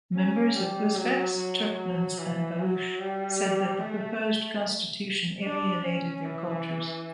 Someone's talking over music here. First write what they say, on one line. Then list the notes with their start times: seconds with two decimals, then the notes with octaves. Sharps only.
Members of Uzbeks, Turkmens and Baluch said that the Proposed Constitution alienated their cultures.
0.15 C#4
0.55 G3
0.96 F#3
1.37 F#3
2.18 E3
2.59 F#3
2.99 G3
3.80 A3
5.43 D4
5.84 C#4
6.25 E3